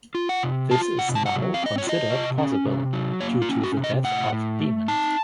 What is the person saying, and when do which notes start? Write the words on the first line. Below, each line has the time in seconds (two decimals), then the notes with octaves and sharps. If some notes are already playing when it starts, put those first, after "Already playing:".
This is now considered possible due to the death of Demon.
0.15 F4
0.29 F#5
0.43 C3
0.71 F4 A5
0.99 C3 F#5
1.15 A5
1.26 F#3 F#5
1.54 C4 F5
1.66 D#5
1.78 F4 C#5
1.89 D#5
2.10 C3
2.38 C#4
2.66 C3
2.93 F#3
3.21 A#3 C#5
3.42 F4
3.49 C#4
3.64 F#4
3.77 C3
3.84 D#5
4.04 A2 F#5
4.32 A2
4.60 A3
4.88 D#4 A5